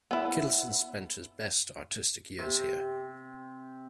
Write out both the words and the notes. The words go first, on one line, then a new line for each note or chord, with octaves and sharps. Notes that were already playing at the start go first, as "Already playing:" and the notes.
Kittelsen spent his best artistic years here.
B3 E4
C3 C4